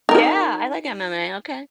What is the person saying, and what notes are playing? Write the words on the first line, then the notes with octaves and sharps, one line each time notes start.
Yeah, I like MMA, okay.
D#4 A#4